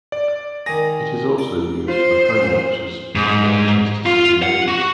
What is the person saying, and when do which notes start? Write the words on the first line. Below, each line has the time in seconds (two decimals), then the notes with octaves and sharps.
It is also used for home matches by Manchester City Ladies.
0.12 D5
0.66 D#3 G#4 A#6
1.38 D5
1.88 F4 C5
2.38 A1 A#2
3.15 G#2
4.06 F4
4.43 F#5
4.68 F#4